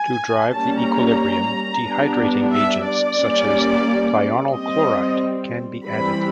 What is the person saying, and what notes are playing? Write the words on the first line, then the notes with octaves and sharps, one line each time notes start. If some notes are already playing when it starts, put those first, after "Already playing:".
To drive the equilibrium, dehydrating agents such as thionyl chloride can be added.
Already playing: G#5
G3 A#3 C#4 A5
A#5
G3 B3 D4
E5
D5
G3 A#3 C#4
G3 C4 D#5
E3 G3 C4 B5